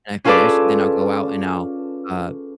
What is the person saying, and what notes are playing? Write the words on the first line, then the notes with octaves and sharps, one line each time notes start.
and I finish, then I'll go out and I'll, uh,
C#4 F4 G#4 A4 B4 D5